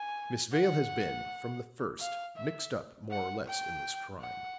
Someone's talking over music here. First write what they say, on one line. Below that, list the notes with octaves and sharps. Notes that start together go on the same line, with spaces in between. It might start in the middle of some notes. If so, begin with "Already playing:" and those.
Miss Vale has been from the first mixed up more or less in this crime.
Already playing: G#5
F#5
F5
E5
F#5
G5
F#5